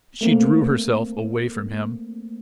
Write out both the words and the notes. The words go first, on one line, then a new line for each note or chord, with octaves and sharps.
She drew herself away from him.
A3 A#3 C4